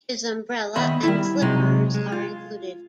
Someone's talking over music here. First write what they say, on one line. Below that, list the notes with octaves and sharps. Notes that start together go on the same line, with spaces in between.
His umbrella and slippers are included.
D#3 B3 E5 B5
G3 E4
C3 F#3 G#3 D#4
G#3
F4